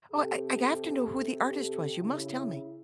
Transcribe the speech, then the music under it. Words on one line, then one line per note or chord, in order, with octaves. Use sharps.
Oh, I I have to know who the artist was, you must tell me.
C3 G4 A4
C#3 E4